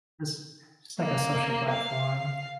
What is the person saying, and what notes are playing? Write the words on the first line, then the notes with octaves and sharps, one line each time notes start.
just just, like a social platform,
A#3
F5